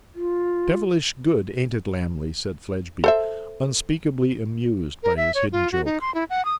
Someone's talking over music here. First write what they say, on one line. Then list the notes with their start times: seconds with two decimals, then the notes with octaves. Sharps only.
'Devilish good, ain't it, Lammle?' said Fledgeby, unspeakably amused by his hidden joke.
0.15 F4
3.04 A4 C5 E5
5.03 A#4
5.17 E5
5.35 C#5
5.52 F4
5.72 F#4
5.85 D#4
6.01 C6
6.14 E4
6.30 F#5
6.45 D#6